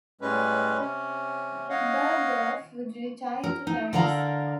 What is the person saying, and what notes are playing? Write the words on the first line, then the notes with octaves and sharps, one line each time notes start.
Bergdorf would retire to Paris.
A2 G3 G#3 C#4 B4
C3 C#4
C#5 D#5 F5 F#5
A#4
D#4
D3 A4 A#4 D5 F5 A#5